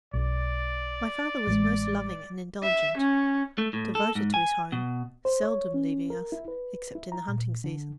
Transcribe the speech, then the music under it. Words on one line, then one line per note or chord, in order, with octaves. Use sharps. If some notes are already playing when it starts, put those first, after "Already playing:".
My father was most loving and indulgent, devoted to his home, seldom leaving us, except in the hunting season.
B1 D5
A1 G#3
E5
C#4
A3
A2
A4
G#2
G#5
B2
C5
C#5
C#4
A#4
E4
B4
E4
A#5
A#2
D3